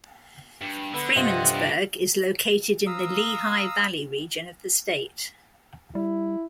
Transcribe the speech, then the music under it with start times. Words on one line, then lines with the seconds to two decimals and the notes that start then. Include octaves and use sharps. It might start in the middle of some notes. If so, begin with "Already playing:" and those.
Freemansburg is located in the Lehigh Valley region of the state.
0.62 G2
0.94 D3 B3 E6
1.16 G2 C3 F4 D#5 F#5
1.54 B3 D4
2.87 F5 A#5 D#6 E6
5.95 G3 E4